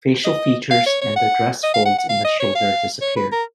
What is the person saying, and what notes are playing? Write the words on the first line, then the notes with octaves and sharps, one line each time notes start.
Facial features and the dress folds in the shoulder disappeared.
D#5
F5
C#5
C#5
F#5
D#5
F5
F#5
F#5
F5
D#5
C#5
F5
C#5
B4
A#4